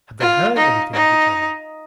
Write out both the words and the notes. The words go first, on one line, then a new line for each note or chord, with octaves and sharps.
Had they heard anything of each other?
F4
D#4
D#4